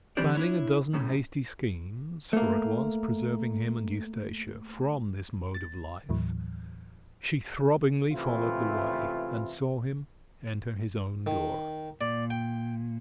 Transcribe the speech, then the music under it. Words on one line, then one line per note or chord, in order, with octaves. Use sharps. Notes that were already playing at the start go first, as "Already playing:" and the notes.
Planning a dozen hasty schemes for at once preserving him and Eustacia from this mode of life, she throbbingly followed the way, and saw him enter his own door.
E3 G3 C4 D4 C5 D5
D4 E4 C#5
F#2 A2 C#3
A3 A#3
A6
D#2 A2 E3 F#3
C#2 C3 E3 A3 E4 F4
D#3
A#2 D5
G5